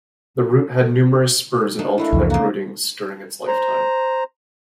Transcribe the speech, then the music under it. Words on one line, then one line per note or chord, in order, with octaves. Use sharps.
The route had numerous spurs and alternate routings during its lifetime.
A#3 D4 D#4
A3 A#3 E4 F#4
C2 F2 E3
C#3 A#3 F#4
C5 A#5